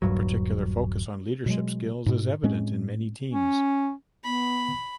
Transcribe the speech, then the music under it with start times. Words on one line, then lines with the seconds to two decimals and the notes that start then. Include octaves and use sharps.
A particular focus on leadership skills is evident in many teams.
0.02 D#1 G2 F#3
1.46 B2 F#3 G#3
2.06 G#2 B2
2.43 A2 G#3 C4 C#4
3.32 C#4
4.24 B3 B5